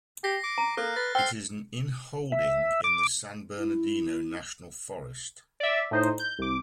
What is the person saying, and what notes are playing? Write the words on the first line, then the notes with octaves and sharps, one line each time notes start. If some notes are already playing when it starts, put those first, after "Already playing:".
It is an inholding in the San Bernardino National Forest.
G4 A#6 C7
D6
A#5
A#3 A4 F6 F#6 A#6
B4 A6
C5 G5 E6 F6 C7
E5
D6
E4
D5 E5
A2 D#4 C5
G6
C2 D6